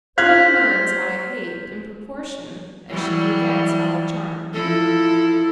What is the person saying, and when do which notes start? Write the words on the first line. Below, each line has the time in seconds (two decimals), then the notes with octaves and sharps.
Woman learns how to hate in proportion as she--forgets how to charm.
0.18 F4 C5 F5 F6 F#6 G#6 B6
2.89 E3 F#3 G3
4.53 F3 E4 A4